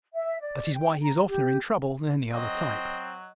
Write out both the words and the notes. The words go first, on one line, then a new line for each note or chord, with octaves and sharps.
That is why he is oftener in trouble than any other type.
E5
D5
G5
A#5
G4
F#3 C4 D#5